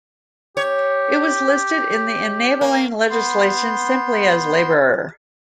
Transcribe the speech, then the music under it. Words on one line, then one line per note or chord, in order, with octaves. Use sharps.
It was listed in the enabling legislation simply as "Labour".
G4 C#5
A#3
B3 C6 G6